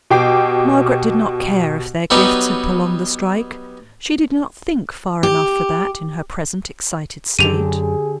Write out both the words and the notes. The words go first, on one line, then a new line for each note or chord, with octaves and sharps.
Margaret did not care if their gifts had prolonged the strike; she did not think far enough for that, in her present excited state.
B2 G4 G5 D6 C7
F#3 G3 B3 D#4 B4 C#5
G4
F#2 D3 F#3 D4 G4 G#4 D#7 F7